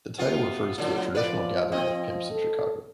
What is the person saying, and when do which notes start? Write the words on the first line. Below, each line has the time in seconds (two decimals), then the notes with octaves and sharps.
The title refers to a traditional gathering of pimps in Chicago.
0.19 C3 B3 F4
0.78 A2 D3 F#3
1.15 F3 B4 D5
1.72 C4 D#5
2.31 A4